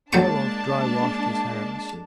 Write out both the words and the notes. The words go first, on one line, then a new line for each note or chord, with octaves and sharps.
Karlov dry-washed his hands.
F#3 G#3 A#3 D4 G5 A5 C#6